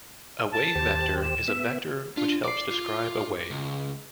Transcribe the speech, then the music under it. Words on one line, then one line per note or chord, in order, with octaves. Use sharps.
A wavevector is a vector which helps describe a wave.
A5
D#2 G4 C5
E7
B3 E5
D4 F4
D5 D6 C7
F4
C#2